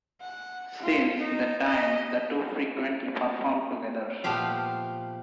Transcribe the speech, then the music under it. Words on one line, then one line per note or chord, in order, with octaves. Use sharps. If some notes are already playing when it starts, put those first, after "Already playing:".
Since that time the two frequently performed together.
F#5
F4
D#4
D#5
A#2 F3 A3 B3 G4 F5